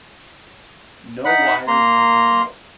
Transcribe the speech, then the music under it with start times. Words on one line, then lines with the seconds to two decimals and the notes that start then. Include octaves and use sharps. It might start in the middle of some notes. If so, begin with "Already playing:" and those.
No wires were visible.
1.25 D#4 F#5 B5
1.68 A#3 A#5 C6